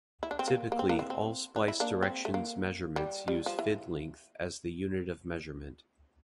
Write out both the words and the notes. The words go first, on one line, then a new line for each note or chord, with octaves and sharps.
Typically, all splice directions measurements use fid-length as the unit of measurement.
E4
D4
C4
A#3
A#3
C4
A#3 D4
C4 E4
C4
D4
E4
A#3 D4
C4
A3
A#3
G3
G3
F3
E3